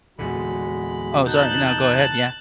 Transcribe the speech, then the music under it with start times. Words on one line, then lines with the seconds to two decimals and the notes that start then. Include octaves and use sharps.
Oh, sorry. No, go ahead, yeah.
0.19 E2 A#2 D3 G#3 F#4 B5
1.26 D#4 A5 F#6 G6